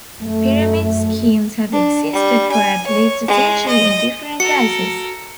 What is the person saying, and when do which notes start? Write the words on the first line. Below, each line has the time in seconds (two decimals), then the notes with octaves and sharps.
Pyramid schemes have existed for at least a century in different guises.
0.17 F#2 A3
1.73 D4
2.13 G3
2.51 G#5
2.87 C#5
3.28 G#3
3.68 D#5
4.40 F#4 A4 A#4 C#7